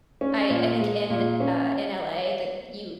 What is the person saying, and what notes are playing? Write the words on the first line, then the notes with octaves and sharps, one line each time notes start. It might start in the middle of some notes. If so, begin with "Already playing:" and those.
I I think in uh, in LA that you
C#4
A#2
G#3
A#2
C#4